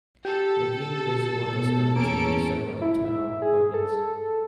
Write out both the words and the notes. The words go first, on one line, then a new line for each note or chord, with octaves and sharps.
Making visible the skeleton and several internal organs.
G4 A4
B2
E2 A#3 C#4 A4 D7
E4
E5
G#4
A4